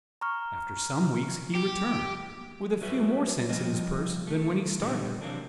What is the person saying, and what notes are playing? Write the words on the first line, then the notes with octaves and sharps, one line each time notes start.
After some weeks he returned, with a few more cents in his purse than when he started!
A#5 C#6 F6
G4
F#3 G3 F#4 B4 E5
F3 G3 F4 D#5
A3
A#2 D3 E3 F#3 G3 B3
C3 E3 F#3 A#3 D4